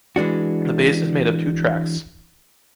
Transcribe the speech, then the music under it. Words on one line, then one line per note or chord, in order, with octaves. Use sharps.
The base is made of two tracks.
E3 G#3 D4 F#4